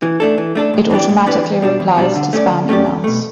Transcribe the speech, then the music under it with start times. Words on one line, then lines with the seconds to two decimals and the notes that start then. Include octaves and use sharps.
It automatically replies to spam emails.
0.02 E3
0.20 A3 D4 A4
0.38 E3
0.55 A3 D4 A4
0.74 A2
0.91 E3 B3 D4 G4
1.09 A2
1.27 E3 B3 D4 G4
1.44 E2
1.62 B2 G3 D4
1.80 E2
1.97 B2 G3 D4
2.15 D3
2.33 A3 C#4 G4 D5
2.51 D3
2.69 A3 C#4 G4 D5
2.87 E2
3.04 B2 A3